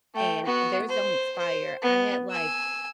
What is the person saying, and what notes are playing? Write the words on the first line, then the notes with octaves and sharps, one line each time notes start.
and theirs don't expire. I had, like
A3 G5
B3 F#4
C5
C5
B3
G#5 E6